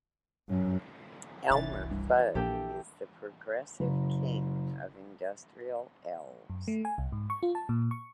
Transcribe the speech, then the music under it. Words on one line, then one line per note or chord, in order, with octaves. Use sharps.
Elmer Fudd is the progressive King of industrial Elves.
F#2
F1 C2 E3 C#4 A6
G2
A#1 A#3 D4 G4 A4 G5
F#1
F#2
A3
G#5
C2
G#2
C#6
F4
A5
A#2
C#6